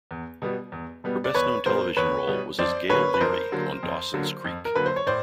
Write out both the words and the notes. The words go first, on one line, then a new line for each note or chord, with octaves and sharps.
Her best known television role was as Gail Leery on "Dawson's Creek".
E2
B2 G3 B3
E2
B2 G3 B3
D5
E2 B4 C#5
B2 G3 B3 A#4 C5
E2 B4 C#5
B2 G3 B3
F2 C5 D5
D3 F#3 A#3 B4 C#5
B4
F2 A#4 C5
D3 F#3 A#3
F2
D3 F#3 A#3
F2
A#4
D3 F#3 A#3 B4
C5
C#5
A2 C5 D5